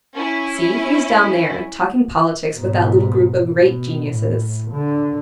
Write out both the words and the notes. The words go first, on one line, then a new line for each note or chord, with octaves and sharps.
"See, he is down there, talking politics with that little group of great geniuses."
C#4 E4
G#2 B2
B2
A2
D3